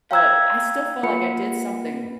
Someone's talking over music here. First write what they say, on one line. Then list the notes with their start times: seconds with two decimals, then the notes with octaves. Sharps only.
but I still felt like I did something
0.11 F5 G5 A#5 E6 F#6 G#6
1.03 A#3 F4 B4 F#5 B5 C#7